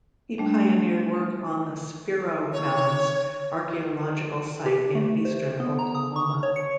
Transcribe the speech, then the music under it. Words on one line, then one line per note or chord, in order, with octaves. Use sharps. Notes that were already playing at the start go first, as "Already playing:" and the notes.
He pioneered work on the Spiro Mounds archaeological site in eastern Oklahoma.
G3 A3 D4
C#5
G4
A3
C5
B3
A#5
D#6
C#6
C#5
C#7